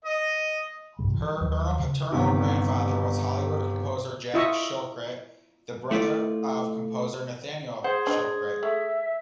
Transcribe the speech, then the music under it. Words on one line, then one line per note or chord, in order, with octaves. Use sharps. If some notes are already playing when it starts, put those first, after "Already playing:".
Her paternal grandfather was Hollywood composer Jack Shilkret, the brother of composer Nathaniel Shilkret.
D#5
B1 G2 C3 G3
E3 G3
D#2 F#3 G3
C#3
G1 C3 D#3
E4 F4 D#5 E5 C#6
A3 E4 F4 D5
G#4 C5 F#5
D4 D#5
A3 E5